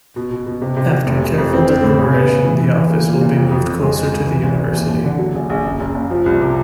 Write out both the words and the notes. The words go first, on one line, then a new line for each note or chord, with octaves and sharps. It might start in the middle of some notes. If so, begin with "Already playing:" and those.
After careful deliberation, the office will be moved closer to the University.
B2
B2
B2
C3
C3
C3
F1
F1
F2
C4
C4
A2
C#3
B3
C#3
E3
E3
E3
A#3
A#2
A#2
F2
F2
F2
G#3
G#3
C#2
E3
G#1
E3
D#2
D#2
D3
F#3
A#1
A#1
F#1
F#1
F#1
F3
C2
C3